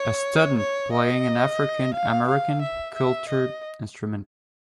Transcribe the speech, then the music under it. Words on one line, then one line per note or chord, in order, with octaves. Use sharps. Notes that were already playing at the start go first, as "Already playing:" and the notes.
A student playing an african american cultured instrument.
Already playing: C#5
C#5
D#5
F5
F5
E5
E5
D#5